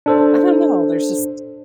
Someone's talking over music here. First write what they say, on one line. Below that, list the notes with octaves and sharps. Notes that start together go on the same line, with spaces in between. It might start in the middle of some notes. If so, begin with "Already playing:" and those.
I don't know, there's just
D4 A4 C5